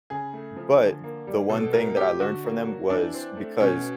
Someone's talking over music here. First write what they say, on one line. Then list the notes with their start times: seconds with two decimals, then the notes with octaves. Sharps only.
But the one thing that I learned from them was because
0.10 C#3 G#4
0.33 A3
0.56 F3
0.80 D3
1.04 A#3
1.27 G3
1.49 B2 A4
1.73 A3 A#4
1.96 F#3 G4
2.19 D3 F#4
2.44 A#3
2.67 F#3
2.90 E3 D4
3.13 C4
3.37 A3
3.60 B2 C#4